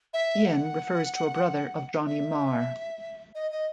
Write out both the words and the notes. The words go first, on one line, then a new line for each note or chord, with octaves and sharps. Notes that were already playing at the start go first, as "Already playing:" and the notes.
"Ian" refers to a brother of Johnny Marr.
E5
F#5
E5
D#5
D#5